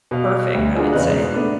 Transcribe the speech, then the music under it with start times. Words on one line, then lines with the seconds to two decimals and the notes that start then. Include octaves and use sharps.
perfect, I would say.
0.11 B2 F5
0.54 D2 G3
0.76 G#3 A#3 D4 F4 F#4 G#4
0.93 E2 C#3 B4 D#5 F5 F#6
1.08 G#2 B2
1.33 A3 B3 D4